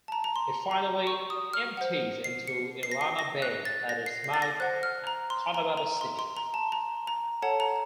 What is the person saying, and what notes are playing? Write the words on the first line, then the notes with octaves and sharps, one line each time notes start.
It finally empties into Illana Bay at its mouth at Cotabato City.
A5
A#5
A#5
C6
A#5
C#6
D#6
F6
C5 F#5
C7
C#7
C7
A#6
C7
A#6
F#6
A6
A#6
C7
C7
A6
A#6
C5 F#5 F#6
F6
A#5
C6
A#5
A#5
C6
C6
A#5
A5
A#5
A#5
A4 C#5 F#5 A5
A#5